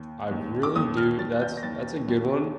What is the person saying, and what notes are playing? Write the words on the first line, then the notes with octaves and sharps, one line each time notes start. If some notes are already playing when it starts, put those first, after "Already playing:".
I really do that's that's a good one,
Already playing: D#2
D#2
D6
D#2 D#6
F6
D#2 A6
G6
A#6
D#2 A6
D#2